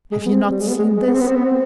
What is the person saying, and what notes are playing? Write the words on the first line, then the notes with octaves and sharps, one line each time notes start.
Have you not seen this?
G#3
B3
C4
G3
G#3
B3
G#3
G#3
B3
C4
B3
C4
B3
C4